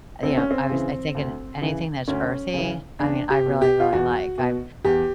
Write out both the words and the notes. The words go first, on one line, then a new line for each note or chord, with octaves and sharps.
you know, I was I thinking anything that's earthy, I mean, I really, really like, I've
D2 C4
C#4
C4
C#3 E3
D2
C#3 E3
D2 C#4
C#3 E3
E2 D4
G4
B2
G4
F4
E2 F#4
B2
E2 G4